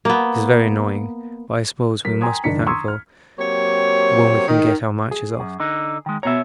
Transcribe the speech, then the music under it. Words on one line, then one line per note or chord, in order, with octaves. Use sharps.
It is very annoying, but I suppose we must be thankful when we can get our marches off.
A#3 B3
F#3 A#4 B6
G5 G#5 A#5 C6 D#6 G#6
F#1 D#3 D4 A#5 B6 C#7
A#5 C6 C#6 D#6 E6 G#6
F6
F#3 A#3 C4 G4 C#5
D#3
G#4
F#2
D3 D#4
D#3 G#3
B2 C#5 E5 A#5